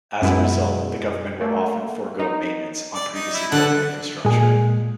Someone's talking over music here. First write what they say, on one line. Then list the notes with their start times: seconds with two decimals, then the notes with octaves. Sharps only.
As a result, the government will often forgo maintenance on previously built infrastructure.
0.22 F#2 B2 G#3 B3 E4
1.41 A3 A#3
2.19 D#4
2.94 D5
3.14 D#4
3.34 E4
3.52 D3 F#5 A5
4.25 A#2 G#3 G#4